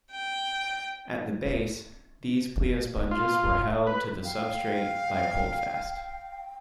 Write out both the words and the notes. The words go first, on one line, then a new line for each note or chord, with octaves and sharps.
At the base, these pleosponges were held to the substrate by a holdfast.
G5
F4
B4
F5 G5